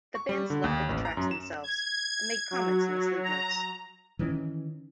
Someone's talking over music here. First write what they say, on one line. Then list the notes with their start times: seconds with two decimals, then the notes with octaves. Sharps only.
The band selected the tracks themselves, and made comments in the sleeve-notes.
0.15 C#6
0.29 G3
0.50 D3
0.64 D#2
0.89 A1
1.05 A#5
1.17 F#2
1.31 E7
1.64 G#6
2.51 F#3
3.24 A#5
4.19 D#3 E3 G3 C#4